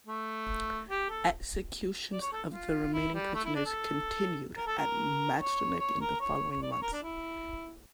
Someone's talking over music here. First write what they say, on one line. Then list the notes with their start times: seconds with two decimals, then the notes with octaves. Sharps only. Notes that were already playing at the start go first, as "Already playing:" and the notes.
Executions of the remaining prisoners continued at Majdanek in the following months.
0.07 A3
0.89 G4
1.10 A4
2.12 D5
2.21 C#5
2.33 A4
2.52 F4
2.93 E4
3.14 G3
3.34 A3
3.44 E4
3.55 D4
3.66 A4
4.57 A#4
4.67 A4
4.78 A#4
5.38 C#5
5.79 C#5
6.00 A#4
6.20 C#5
6.51 C#5
6.62 D5
6.71 C#5
6.82 A#4
6.92 D4
7.02 E4